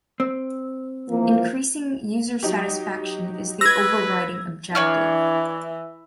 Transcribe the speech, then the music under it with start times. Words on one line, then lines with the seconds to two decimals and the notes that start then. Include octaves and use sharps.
Increasing user satisfaction is the overriding objective.
0.20 C4
1.08 E3 F3 A#3
2.43 F#3 D#4 G4
3.61 B4 E6 G#6 A#6
4.75 E3 D4 C#5 F6